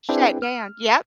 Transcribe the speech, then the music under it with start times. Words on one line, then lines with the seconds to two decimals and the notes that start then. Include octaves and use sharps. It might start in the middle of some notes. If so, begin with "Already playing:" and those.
shut down Yep.
0.09 C4 D4 E4 G#4 B4 G5
0.42 F6